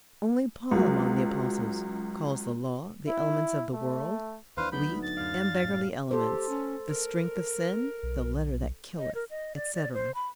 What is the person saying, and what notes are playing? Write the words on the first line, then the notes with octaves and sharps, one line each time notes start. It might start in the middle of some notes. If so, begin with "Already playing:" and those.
Only Paul among the apostles calls the Law "the elements of the world, weak and beggarly elements, the strength of sin, the letter that killeth," etc.
C#2 F#3
E4
A3
D#2 E3 D4 B4 C5 F5
D2 F#3 B3 D4 D#4 B5 G6
A6
F#2 D5 F5
A2 C#4
G4 A4 C5
C#4
A#4
B1
D#5
A#4
D#5
D5
D5
C5
B5